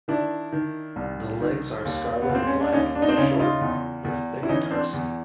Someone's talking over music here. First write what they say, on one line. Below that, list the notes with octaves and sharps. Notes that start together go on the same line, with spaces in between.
The legs are scarlet or black, short, with thick tarsi.
D#3 D4 E4
D#3
C2
D#3
D#2
B3
D#2
C4
C#4
D4
D#2 C#4 D#4
D4
D#4
C4 D4
C#3 C#4 D#4
E4
D#4 F4
E2
E2
E4
E3 C#4 D#4
C4 D4
E2